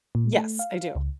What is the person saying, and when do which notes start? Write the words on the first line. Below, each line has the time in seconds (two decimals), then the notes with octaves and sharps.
Yes, I do.
0.15 A#2
0.33 A3
0.59 F5
0.95 C#2